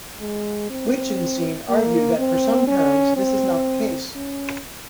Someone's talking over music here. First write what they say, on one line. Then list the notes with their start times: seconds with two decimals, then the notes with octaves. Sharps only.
Wittgenstein argued that for some terms this is not the case.
0.21 G#3
0.70 C4
1.69 A#3
2.18 C4
2.67 C#4
3.17 C4
4.16 C#4